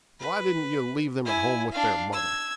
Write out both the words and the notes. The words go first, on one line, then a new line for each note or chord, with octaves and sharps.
Why didn't you leave them at home with their mother?
B4
E4 G#5
D4 F5
E6 G#6